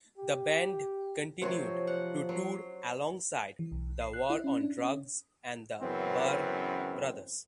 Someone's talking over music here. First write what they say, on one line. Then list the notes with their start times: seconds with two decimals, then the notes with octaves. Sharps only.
The band continued to tour alongside The War on Drugs and The Barr Brothers.
0.18 G4
1.41 C3 F3 F#3 F#4 C5 C#5 C6
1.87 D5 F#5
2.29 F#3 C6
3.59 E3
3.72 B1
4.01 C7
4.13 F#6
4.30 E4
4.44 C#4
4.61 D4
4.78 C#4
5.80 F#2 C#3 E3 B3 C4